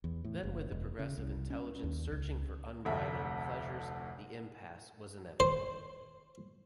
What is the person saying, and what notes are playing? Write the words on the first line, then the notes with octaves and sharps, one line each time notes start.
Then with the progressive intelligence searching for unbridled pleasures, the impasse was inevitable.
E2
A2
F#1
E1
C#3
C2
C#4
D#2
C#2
F1 D2 E5
C5